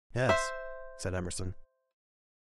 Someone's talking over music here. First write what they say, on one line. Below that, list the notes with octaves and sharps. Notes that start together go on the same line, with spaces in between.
"Yes," said Emerson.
C5 E5